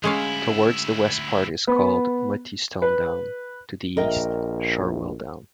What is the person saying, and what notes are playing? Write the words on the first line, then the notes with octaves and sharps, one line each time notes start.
Towards the west part is called Mottistone Down, to the East, Shorwell Down.
D2 G#3 C#4 E4 F5
B3
B4
A#1 A#4 D#5 G5